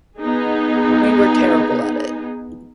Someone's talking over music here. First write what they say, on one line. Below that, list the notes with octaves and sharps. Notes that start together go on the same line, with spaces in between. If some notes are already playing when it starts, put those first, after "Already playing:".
We were terrible at it.
B3 D#4 G#4